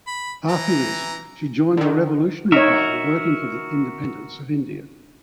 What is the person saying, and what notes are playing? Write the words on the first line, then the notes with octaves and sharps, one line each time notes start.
After this she joined the revolutionary party working for the independence of India.
B5
E3 A#5
D3 D#3
D#4 F#4 A#4 C#5 E5